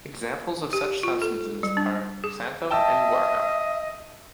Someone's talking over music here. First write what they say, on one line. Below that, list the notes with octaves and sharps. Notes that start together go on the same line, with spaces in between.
Examples of such substances are xanthan and guar gum.
G4
F4
A4
G3
D4
G#4
D#5 E5 G5 A5 E6